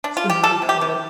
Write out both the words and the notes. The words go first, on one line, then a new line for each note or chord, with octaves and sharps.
what's the movie called
D4
F4
G4
G3 A4
C3
G4
C3